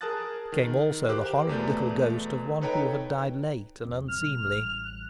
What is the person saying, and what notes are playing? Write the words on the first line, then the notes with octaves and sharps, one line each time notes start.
Came also the horrid little ghost of one who had died late and unseemly.
G#4 A#4 A5 D#6 F#6 A6
D#3
G4 A#4 C5 D6 F#6
E2 B2 A3 B4 D5 G6
D#4 A4 B4 C#5 G5 A#5
E1 E2 C4
B2 G3 F6 F7
A1 G3
F#6